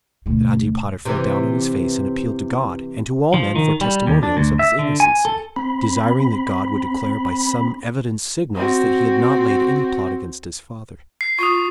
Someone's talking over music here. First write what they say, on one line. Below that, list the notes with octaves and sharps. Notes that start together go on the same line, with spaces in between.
But Antipater fell down on his face, and appealed to God and to all men for testimonials of his innocency, desiring that God would declare, by some evident signals, that he had not laid any plot against his father.
D2 B2
C3 E3
F3
D#3
G3
D#2
D4
D2
E5
D3
G#5
A4
C4 B5
C4 F#4
C7
F4 C#6 D#6